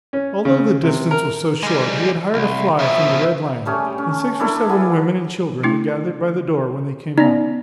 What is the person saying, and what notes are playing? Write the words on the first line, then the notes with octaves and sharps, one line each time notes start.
Although the distance was so short he had hired a fly from the Red Lion, and six or seven women and children had gathered by the door when they came out.
C#4
C#3
C3
A#4
G3 G#3
C2
B2 F3 E5
G3 A3 C#4 G#4
G5
C#4
D4 E4 A4 A#4
E4 G#4 B4 F#5
A3 D4 E4
B3 C#4 D#4 D5